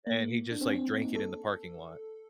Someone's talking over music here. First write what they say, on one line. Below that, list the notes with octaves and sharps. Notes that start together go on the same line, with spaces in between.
and he just, like, drank it in the parking lot.
A#3
D4
C4
C4
C4
D#4
A4